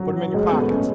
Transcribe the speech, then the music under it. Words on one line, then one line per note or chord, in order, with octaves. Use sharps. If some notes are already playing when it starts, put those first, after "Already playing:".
"Put 'em in yo' pockets."
Already playing: F#3
G#3
A3
B3
A3
C#4